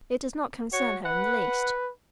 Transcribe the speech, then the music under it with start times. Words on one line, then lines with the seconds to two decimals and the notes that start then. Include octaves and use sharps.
It does not concern her in the least.
0.73 F#4 C#5
1.05 B4 F#5